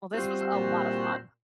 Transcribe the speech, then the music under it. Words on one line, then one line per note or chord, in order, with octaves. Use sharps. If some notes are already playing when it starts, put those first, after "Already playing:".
Well, this was a lot of fun.
G3 C4 F4 F#4 C5
A#2